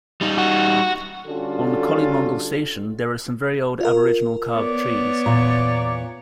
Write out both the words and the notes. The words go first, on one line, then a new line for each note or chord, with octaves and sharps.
On Collymongle Station there are some very old aboriginal carved trees.
G3 D#4
F#4
D3 G3 C#4 F4 F#4 A4
F4 A#4
B3 C#5 D5
E2 A#2 A#5